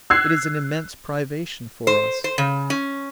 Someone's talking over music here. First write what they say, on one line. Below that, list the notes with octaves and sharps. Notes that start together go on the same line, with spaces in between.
It is an immense privation for us.
E6 F#6 G#6 C7
C5
C5
C#3
C#4